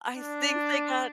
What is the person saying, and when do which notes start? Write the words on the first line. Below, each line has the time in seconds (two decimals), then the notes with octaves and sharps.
I think they got
0.16 D4